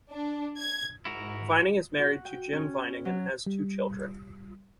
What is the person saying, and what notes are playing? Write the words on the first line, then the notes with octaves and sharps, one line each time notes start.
Vining is married to Jim Vining and has two children.
D4
G#6
G#2 E4 F#4 A#4
F#4
G5
C#4
F#3
G3